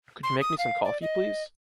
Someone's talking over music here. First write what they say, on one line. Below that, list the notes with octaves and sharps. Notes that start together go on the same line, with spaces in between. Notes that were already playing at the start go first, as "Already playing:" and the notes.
Could you make me some coffee, please?
C6
D#6
F5
D5
D#5